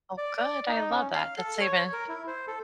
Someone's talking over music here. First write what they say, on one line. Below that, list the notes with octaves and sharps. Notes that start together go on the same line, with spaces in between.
Oh, good, I love that. That's even
D5
D5
D#4
C#4
F5
A4
C#5
A#4
E4
C5
A4